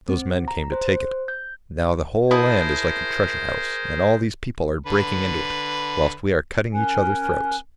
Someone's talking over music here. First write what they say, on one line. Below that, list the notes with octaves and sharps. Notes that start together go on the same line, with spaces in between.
Those men came to take it. Now the whole land is like a treasure-house, and all these people are breaking into it, whilst we are cutting each other's throats.
C4
A#5
C5
G6
E4 G#4 A#4 C5 A5 D#6
D3 B4
C#4 A#4 G#5 F#6